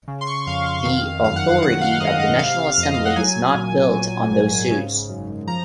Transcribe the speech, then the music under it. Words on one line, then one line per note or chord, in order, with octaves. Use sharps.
The authority of the national assembly is not built on those suits.
C#3
C6
C#6
F2 F5
F5
D#3 F5
F#2 F5
F#5
F5
D#3 F#5
F5
G#2 D#5
D#5
C3 F5
F2
D#5
F5
F#5
F#3 G#5
A#2
F#3
G#2
C#3
F#2
F3 A#5